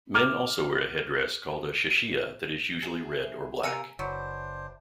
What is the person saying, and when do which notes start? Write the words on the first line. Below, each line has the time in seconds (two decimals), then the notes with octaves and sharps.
Men also wear a headdress called a 'Shashiyah' that is usually red or black.
0.14 D6 F6
2.83 G#4 E5
3.63 C3 A#4 F5 G#5 E6 C#7
3.99 F#1 E3 F#3 D4 C5